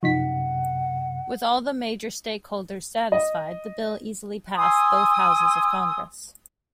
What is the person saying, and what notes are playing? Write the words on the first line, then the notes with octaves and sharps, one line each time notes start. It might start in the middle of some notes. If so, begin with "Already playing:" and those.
With all the major stakeholders satisfied, the bill easily passed both houses of Congress.
F#2 C3 F3 D#4 F#5 B6
D#5
G#5 C6 D#6 E6